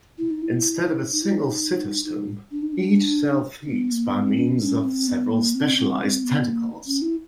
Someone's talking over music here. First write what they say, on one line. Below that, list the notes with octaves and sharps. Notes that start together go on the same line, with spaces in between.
Instead of a single cytostome, each cell feeds by means of several specialized tentacles.
E4
D#4
E4
D#4
E4
D#4
D#4
D4
D#4
D4
B3
A#3
B3
C4
C#4
D4
C#4
C4
B3
A#3
C4
C4
C#4
C4
B3
A#3
C#4
E4